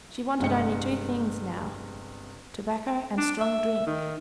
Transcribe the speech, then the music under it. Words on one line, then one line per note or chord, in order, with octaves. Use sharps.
She wanted only two things now--tobacco and strong drink.
G1 C3 G#3 G5 C#7
D4
E5
D#3